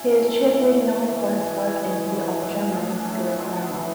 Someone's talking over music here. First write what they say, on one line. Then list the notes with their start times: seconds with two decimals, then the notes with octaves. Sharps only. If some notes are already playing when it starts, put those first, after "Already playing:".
He is chiefly known for his work in the field of German school grammar.
Already playing: C#4 E4 F#4
0.10 G#2 F#3 A4
0.27 A4
0.43 A2 E3 C#5
0.60 D5
0.76 A2 E3 C#5
0.88 B4
0.97 C#5
1.08 G#2 E3 D5
1.17 C#5
1.26 B4
1.33 G#4
1.41 G#2 E3 F#4
1.58 E4
1.74 G#2 E3 C#5
1.91 G#4
2.06 G#2 E3 G#4
2.39 A2 F#3 F#4
2.72 A2 F#3 G#4
2.89 D4
2.96 C#4
3.05 A2 F#3 A3
3.22 B3
3.37 A2 F#3 G#3
3.63 B3
3.71 E3 A3